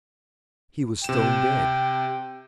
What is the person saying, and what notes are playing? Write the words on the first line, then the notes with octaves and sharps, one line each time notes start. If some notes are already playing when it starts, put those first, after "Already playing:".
He was stone dead.
C3 G5 E7